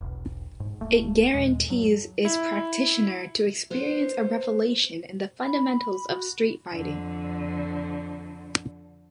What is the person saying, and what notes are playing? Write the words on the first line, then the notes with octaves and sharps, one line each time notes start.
It guarantees its practitioner to experience a revelation in the fundamentals of street fighting.
E1 B1
G#2
D1 A3 A#3
D#2 A#2 G#3
G2 F#3
E4
B3 C5
B5
F#4
F2 D3